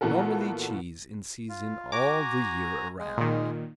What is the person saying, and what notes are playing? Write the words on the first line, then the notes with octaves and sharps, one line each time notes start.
Normandy cheese in season all the year around.
A#2 E3 B3 F#4 A4 A#4
F4
F#4 G#5 A#5 D6
G#3
A#2 D#3